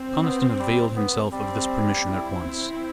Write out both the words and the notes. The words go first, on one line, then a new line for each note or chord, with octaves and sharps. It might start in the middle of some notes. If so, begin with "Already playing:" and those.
Conniston availed himself of this permission at once.
Already playing: C4
B3
G3
B3
G3 C4
C4 E4